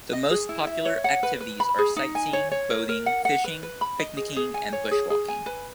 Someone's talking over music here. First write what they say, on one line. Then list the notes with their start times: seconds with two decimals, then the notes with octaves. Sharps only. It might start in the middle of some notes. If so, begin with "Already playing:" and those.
The most popular activities are sightseeing, boating, fishing, picnicking and bushwalking.
0.13 D#5
0.30 G#4
0.49 E4
0.67 E5
0.85 C#5
1.04 F#5
1.23 B4
1.40 B4
1.60 B5
1.78 G#4
1.96 D#4
2.15 G#5
2.33 C#5
2.51 C#5
2.70 A#4
2.89 A#4
3.06 F#5
3.25 F#5
3.44 B4
3.63 B4
3.81 B5
3.99 D#5
4.17 G#4
4.36 G#4
4.54 G#5
4.73 C#5
4.91 G#4
5.10 G#4
5.29 G#5
5.46 B4